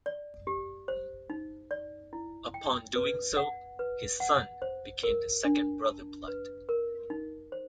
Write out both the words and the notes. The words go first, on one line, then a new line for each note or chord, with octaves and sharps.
Upon doing so, his son became the second Brother Blood.
D5
G4
C5
D#4
D5
E4
G5
B4
F#5
B4
F#5
C5
A#4
D4
A5
B4
A#4
D#4
C5